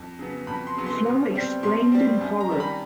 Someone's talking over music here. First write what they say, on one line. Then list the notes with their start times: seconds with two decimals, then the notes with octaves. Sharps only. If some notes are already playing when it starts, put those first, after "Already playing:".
Flo exclaimed in horror.
Already playing: F2
0.19 C#3 F#3 B3
0.47 F2 B5
0.67 C6
0.77 C#3 F#3 B3
0.86 C6
1.06 B2
1.35 G3 C4
1.63 B2 C6
1.92 G3 C4
2.21 F#2
2.41 A#5
2.50 D#3 G3
2.60 B5